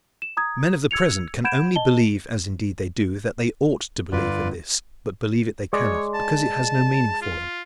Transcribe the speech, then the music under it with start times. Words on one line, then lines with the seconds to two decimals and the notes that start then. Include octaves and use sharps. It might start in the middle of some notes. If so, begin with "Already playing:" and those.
Men of the present can only believe, as indeed they do, that they ought to believe in this; but believe it they cannot, because it has no meaning for them.
0.22 E7
0.37 A#5 D#6 G#6
0.91 E6 G#6 C#7 F7
1.44 F#5 B5 G6 G#6 D7 E7
1.76 D#5 A5 G7
4.12 G1 F4 B4 D5
5.73 G#3 C#5 D5
6.14 A5
7.22 F4